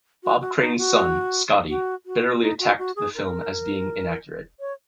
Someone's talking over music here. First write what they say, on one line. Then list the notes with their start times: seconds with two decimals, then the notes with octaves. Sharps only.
Bob Crane's son, Scotty, bitterly attacked the film as being inaccurate.
0.24 F#4
0.41 F#4
0.60 D#4
0.78 F#4
1.69 F#4
2.06 F#4
2.41 D#4
2.59 F#4
2.79 F#4
2.96 G#4
3.15 A#4
4.60 C#5